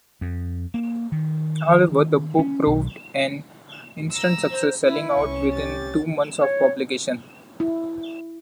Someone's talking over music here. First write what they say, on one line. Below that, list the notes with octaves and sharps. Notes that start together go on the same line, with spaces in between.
However, the book proved an instant success, selling out within two months of publication.
F2
A#3
D#3
C#4
B1
A#5 E6
C5
E4 B4
C2 C#4 C#6
G4 A6
C#5
E4